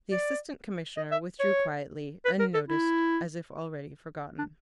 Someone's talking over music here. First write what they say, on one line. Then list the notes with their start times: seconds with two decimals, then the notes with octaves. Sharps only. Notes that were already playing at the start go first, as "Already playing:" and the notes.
The Assistant Commissioner withdrew quietly, unnoticed, as if already forgotten.
0.12 D5
0.97 D#5
1.12 E5
1.40 C#5
2.25 B4
2.40 A#4
2.54 A4
2.68 E4
4.39 D4